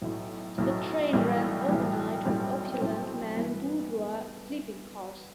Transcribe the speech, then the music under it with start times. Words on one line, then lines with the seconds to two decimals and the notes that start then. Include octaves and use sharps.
The train ran overnight with opulent Mann Boudoir sleeping cars.
0.02 B1 A2 F#3
0.58 B1 A2 F#3
1.13 B1 A2 E3 G3
1.69 B1 A2 E3 G3
2.26 B1 A2 G3 C4
2.81 B1 A2 G3 C4
3.37 G2 E3 B3